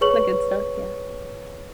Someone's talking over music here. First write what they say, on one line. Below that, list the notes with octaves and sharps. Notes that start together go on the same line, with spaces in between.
The good stuff, yeah.
G#4 B4 C#5 C#6 F#7